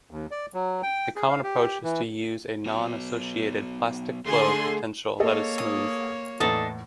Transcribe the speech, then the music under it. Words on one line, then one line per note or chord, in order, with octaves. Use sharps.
A common approach is to use a non-associated plastic flow potential that is smooth.
D#2
D5
F#3
G5
G#4
F5
G4
E3
F#3 B3 C#5
D3 A3 G#4 C6
A#3 G#4 A4 C#5 D#5
D#6
E2 A2 D4 D#4 A4